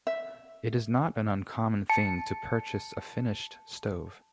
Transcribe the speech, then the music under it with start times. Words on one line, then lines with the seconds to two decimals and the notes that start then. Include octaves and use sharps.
It is not an uncommon thing to purchase a finished stove.
0.07 E5
1.90 A5 C#7